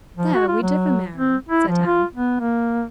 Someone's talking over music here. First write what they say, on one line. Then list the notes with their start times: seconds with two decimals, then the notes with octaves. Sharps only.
"There we differ, Mary," said Anne.
0.17 F3
0.34 F#4
0.48 F4
0.62 F#3
1.16 C4
1.49 E4
1.68 F3
1.85 F4
2.15 B3
2.40 A#3